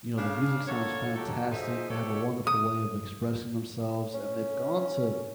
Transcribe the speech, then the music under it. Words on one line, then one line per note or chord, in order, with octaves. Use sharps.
You know, their music sounds fantastic, they have a wonderful way of expressing themselves, and they've gone to
C#3 D4 F5
D3 A#3 A4 C#5
D#3 F#3 G4 A4
A#2 F3 D#4 G#4 C5 E5
B2 F3 G4 A4 C#5
D#6
C#4